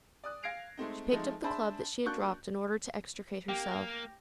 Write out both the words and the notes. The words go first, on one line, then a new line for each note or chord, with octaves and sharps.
She picked up the club that she had dropped in order to extricate herself.
D5 D#6 F#6
F5 G#6 A#6 C7 D7 F7
G#3 A3 C4 D#4
F3 G#3 A3 C4 D#4
D4 G#4 C5 E5 A5 B5
A#3 D4 F#4 C#6 F#6 G6
A#3 G4